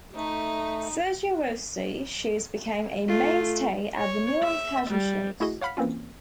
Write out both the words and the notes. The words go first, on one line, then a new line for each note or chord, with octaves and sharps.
Sergio Rossi shoes became a mainstay at the Milan fashion shows.
A3 D#4
A3 F4
C#5
E5
G3
A3 E4 F#4 G#4 D#5
C#5 F5 F#5 B5 F6 B6
E3 A#3 C4 C#4 F4